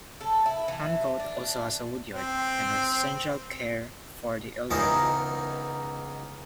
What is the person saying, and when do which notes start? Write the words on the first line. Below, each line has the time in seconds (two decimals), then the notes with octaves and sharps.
Huncote also has a woodyard, and a residential care home for the elderly.
0.21 A4
0.46 E4
0.68 E3
1.20 D4
2.15 C4
4.70 C#2 B2 E3 D#4 A#4 C5